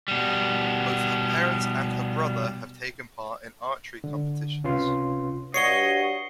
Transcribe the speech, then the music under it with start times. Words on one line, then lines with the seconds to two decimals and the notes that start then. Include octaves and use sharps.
Both her parents and her brother have taken part in archery competitions.
0.08 B2 G3
4.04 D3
4.64 C#2 C3 C#4 F4 B4 C6
5.54 G2 F#4 C#5 D#5 C7 C#7 G7